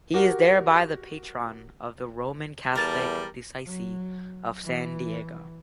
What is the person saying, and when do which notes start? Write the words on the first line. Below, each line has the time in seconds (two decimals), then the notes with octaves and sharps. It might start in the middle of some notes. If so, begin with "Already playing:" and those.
He is thereby the patron of the Roman Catholic Diocese of San Diego.
0.14 F#4 G4 A#4
2.75 E2 G3 A#4 A5
3.66 F#3
4.64 E3